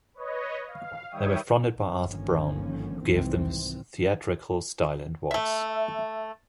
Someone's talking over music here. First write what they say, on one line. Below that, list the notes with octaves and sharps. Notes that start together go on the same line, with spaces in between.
They were fronted by Arthur Brown, who gave them his theatrical style and voice.
B4 C#5 D#5
F5
D#3 G3 C#5 E5 G5 D#6
G1 D3 D#3 F3 A#3 C#4
C2 G#2 D#3 E3 C4
A3 E5